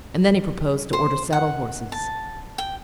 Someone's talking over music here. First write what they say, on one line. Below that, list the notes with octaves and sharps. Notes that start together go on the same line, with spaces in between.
And then he proposed to order saddle-horses.
C5
F#5
A5
G5